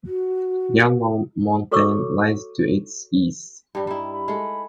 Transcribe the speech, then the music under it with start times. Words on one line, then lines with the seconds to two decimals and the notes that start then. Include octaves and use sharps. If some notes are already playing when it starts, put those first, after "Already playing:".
Yunlong Mountain lies to its east.
0.06 F#4
1.71 F#4 A4 C#5 C#6 D6 E6
3.75 G2 G3
3.87 G3 D#4 E4
4.11 B5
4.28 G#3 A3